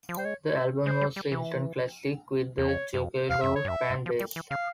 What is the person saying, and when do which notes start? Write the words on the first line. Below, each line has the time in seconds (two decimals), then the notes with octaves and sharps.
The album was a instant classic with the Juggalo fan base.
0.09 F3
0.17 G3 C5
0.25 G#3 C#5
0.48 C#5
0.56 E5
0.86 G#3 C5
1.01 G3
1.16 G3
1.32 E3
2.58 E2
2.68 F2 C#5
2.94 G2
3.00 F2
3.30 E2 F5
3.42 G2 E5
3.49 F2
3.56 C#5
3.65 G2
3.68 F2 E5
3.90 G2
4.06 F3
4.20 G3
4.36 E3
4.51 C#3 F5